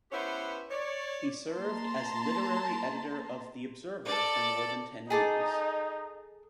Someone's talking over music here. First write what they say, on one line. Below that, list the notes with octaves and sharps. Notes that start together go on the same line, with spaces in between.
He served as literary editor of "The Observer" for more than ten years.
B3 C#4 E4 G4 B4 C5
C#5 D5
A#3 A5 A#5 C6
A4 D5
D#4 G#4 A4 D6